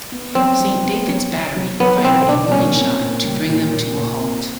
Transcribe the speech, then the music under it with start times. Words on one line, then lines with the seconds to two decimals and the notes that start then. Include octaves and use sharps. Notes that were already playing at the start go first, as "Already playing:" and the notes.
St. David's Battery fired a warning shot to bring them to a halt.
0.12 B3
0.35 F#3 C4
0.60 F#3
0.84 B3
1.08 F#3
1.32 F#3
1.56 F#3
1.80 F#3 B3
2.04 B2 C4
2.28 B2 D4
2.52 A#2 C#4
2.76 C4
3.01 A#2
3.24 G3
3.49 A#2
3.73 A#2
3.97 A#2
4.21 C4